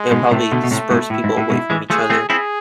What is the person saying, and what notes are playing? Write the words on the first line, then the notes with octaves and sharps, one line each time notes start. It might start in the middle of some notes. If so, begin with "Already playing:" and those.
it'll probably disperse people away from each other,
Already playing: G#3
G#2 B2
A2 C3 A3
B2 D3
B2
A2 C3 A3
G#2 B2
A2 E4
G#2
A2
G#2 B2
E3 G#3
F3 A3 G#4
A3 C4
C4 E4 G#4